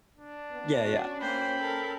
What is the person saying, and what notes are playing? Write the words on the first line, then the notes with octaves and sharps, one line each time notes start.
Yeah, yeah.
D4
B3
C#4 F#4
A#3 C5 G5 B5
A4 A#4